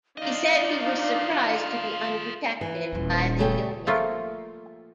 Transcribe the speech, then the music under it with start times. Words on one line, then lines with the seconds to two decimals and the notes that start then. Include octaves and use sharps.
He said he was surprised to be unprotected by the Union.
0.18 D4 D#4 F4 D5 D#5 F5
2.61 E3
2.92 D#1 E4
3.39 C#3 A3 G5
3.87 F3 A3 A#3 F4